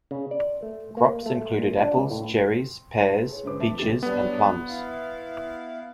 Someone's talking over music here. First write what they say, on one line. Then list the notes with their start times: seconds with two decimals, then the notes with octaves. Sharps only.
Crops included apples, cherries, pears, peaches and plums.
0.11 C#3
0.31 D5
0.62 A3
0.97 A#3
1.26 A3
1.58 A#2
1.79 D4
1.97 C#2
2.11 A2
2.97 A5
3.09 E4 B4
3.30 G#4 C#5
3.43 G#2 D3 C#4 B4 C5 D6
3.60 F2 E5 A5
3.78 F1 B1 G#2 D#4 G4 A6
4.03 F#3 G3 B3 D4
4.69 E4 F5